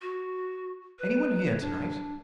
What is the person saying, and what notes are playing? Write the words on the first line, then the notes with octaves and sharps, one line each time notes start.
"Any one here to-night?"
F#4
B4
C#5
D4